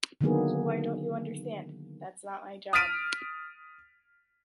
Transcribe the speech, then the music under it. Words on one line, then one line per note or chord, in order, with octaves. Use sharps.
So why don't you understand? That's not my job.
D3 D#3 F#3 A#3 B3 G#4
D#6 F6 A6 B6 D7 D#7